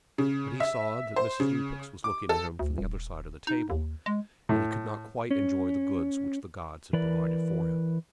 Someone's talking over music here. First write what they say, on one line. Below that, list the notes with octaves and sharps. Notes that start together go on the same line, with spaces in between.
But he saw that Mrs. Lupex was looking at him from the other side of the table, and he could not quite enjoy the goods which the gods had provided for him.
C#3
E5
C5
C#3
D6
A4
D2
D#1
D#4
D#2
G#3
A2
C#4
E3 A#4 B4 D5